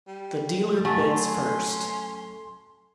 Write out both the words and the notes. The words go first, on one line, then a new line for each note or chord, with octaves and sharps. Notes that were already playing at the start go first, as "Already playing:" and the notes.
The dealer bids first.
G3
F#3 A3 C#4 A5
C6